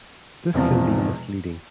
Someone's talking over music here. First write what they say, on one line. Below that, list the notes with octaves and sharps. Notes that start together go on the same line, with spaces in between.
This can be misleading.
E1 E2 C3 F3